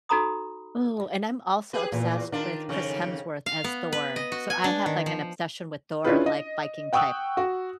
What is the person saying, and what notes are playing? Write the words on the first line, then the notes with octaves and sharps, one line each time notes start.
Ooh, and I'm also obsessed with Chris Hemsworth as Thor. So I have, like, an obsession with Thor, like, Viking-type
D#4 F#4 A4 A#5 B5 D#6
G4 G#4 B4
E2 A#2
D#3 D4 F4
F2 C#3 C#4
F5
B3
B4
D#5
F#4
G#5
D4
D#3
F3
C#4 D4 E4 F4 G#4 B4
D#5
F#5 G5 C#6 D#6 E6 F#6
F#4